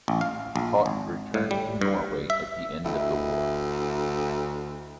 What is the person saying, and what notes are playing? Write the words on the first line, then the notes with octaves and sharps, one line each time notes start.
Koht returned to Norway at the end of war.
A1
F5
A#1
G#1
A2
G3
G2
E5
D2 E4 D#5